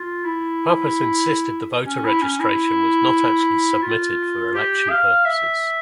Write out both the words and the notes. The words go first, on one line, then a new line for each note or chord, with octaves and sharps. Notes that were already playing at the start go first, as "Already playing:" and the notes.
Pappas insisted the voter registration was not actually submitted for election purposes.
Already playing: F4
E4
C#4
E4
C#4
E4
F4
G4
F5
E5